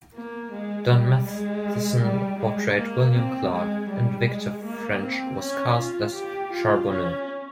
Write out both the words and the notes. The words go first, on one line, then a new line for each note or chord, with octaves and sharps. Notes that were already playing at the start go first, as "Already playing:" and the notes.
Don Matheson portrayed William Clark, and Victor French was cast as Charbonneau.
A#3
G#3
G3
G#3
G3
G#3
A#3
C4
G#3
G3
G#3
A#3
C4
C#4
F4
G4
F4
C#4